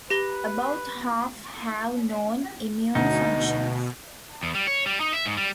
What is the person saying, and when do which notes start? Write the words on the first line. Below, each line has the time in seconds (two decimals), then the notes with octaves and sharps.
About half have known immune functions.
0.10 G4 B4 A#6 G7
2.95 D2 B2 D#4
4.43 E2
4.55 G3
4.67 C#5
4.86 G3
5.00 D#4
5.13 E5
5.26 G#2
5.37 G3